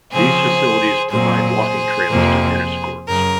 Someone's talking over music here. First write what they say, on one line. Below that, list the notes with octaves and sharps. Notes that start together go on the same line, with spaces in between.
These facilities provide walking trails to tennis courts.
C#3 F3 C4 G#4 C5
A#2 F#3 C4 G#4 C5
F2 C3 F3 A#3
F#2 C#3 A#4